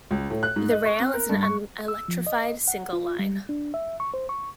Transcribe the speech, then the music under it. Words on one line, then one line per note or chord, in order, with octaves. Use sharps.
The rail is an unelectrified, single line.
C#2
A2
F#6
G#2
D#5
C#6
C4
A#4
G2
C#6
E6
F3
D#5
F#5
F4
G3
D4
E5
C#6
C5
C#6